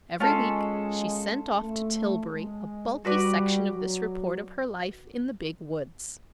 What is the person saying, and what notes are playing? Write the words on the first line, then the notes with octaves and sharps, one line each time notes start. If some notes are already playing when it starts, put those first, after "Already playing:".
Every week she sent off to Tillbury a bulky section of this report of her life in the Big woods.
G#3 C#4 F4 A4
A3
G#3
G3 F#4 B4 D5
F#3